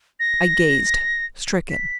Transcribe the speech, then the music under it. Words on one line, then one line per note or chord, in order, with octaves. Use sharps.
I gazed, stricken.
A#6
B6